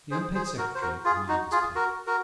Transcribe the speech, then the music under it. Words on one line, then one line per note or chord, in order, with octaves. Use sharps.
The unpaid secretary admired this pluck.
G#4 C5
G#4 C5
F#4 A#4
C5
F#4 A#4
F4 G#4
D#4 F#4
F4 G#4
F#4 A#4
F#4 A#4